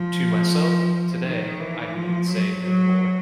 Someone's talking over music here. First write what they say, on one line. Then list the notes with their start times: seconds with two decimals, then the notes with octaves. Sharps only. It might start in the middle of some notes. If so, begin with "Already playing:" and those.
To myself - today - I need say no more.
Already playing: F3
1.25 D#3
1.60 E3
1.94 F3
2.29 F#3
2.63 F#3